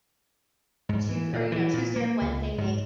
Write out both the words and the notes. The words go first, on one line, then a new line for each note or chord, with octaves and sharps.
Tues or, you know, Tuesday or Wednesday make
G#2
E3
A#2
E3
A#2
A#3
C#2
G#2